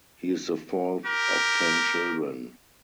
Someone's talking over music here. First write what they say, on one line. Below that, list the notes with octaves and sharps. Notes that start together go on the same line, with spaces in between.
He is the fourth of ten children.
G4 A#4